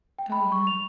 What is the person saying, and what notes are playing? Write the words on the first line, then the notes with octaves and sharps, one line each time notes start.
Oh, yeah.
G5
B5
C#6
F7